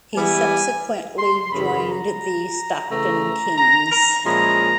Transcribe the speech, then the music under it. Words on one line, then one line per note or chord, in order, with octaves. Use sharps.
He subsequently joined the Stockton Kings.
E3 G3 B3 E4 G#5
C6
F#2 C#3 E3 B5
A#5
C#3 E3 A3 A#5
A#5
A#5
A#2 F3 G#3 C#4 E4 A#5